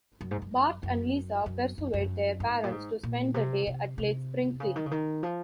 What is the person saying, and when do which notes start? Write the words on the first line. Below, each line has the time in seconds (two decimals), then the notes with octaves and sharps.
Bart and Lisa persuade their parents to spend the day at Lake Springfield.
0.21 F#2
0.31 G#2
0.42 F#2
0.83 F#2
1.46 F#2
1.78 F#2
1.94 F#2
2.40 G#2
2.64 A#2
2.71 G#2
3.03 A#2
3.34 C3
3.67 C3
3.98 C3
4.60 C#3
4.76 D#3
4.86 C#3
4.91 D#3
5.23 F3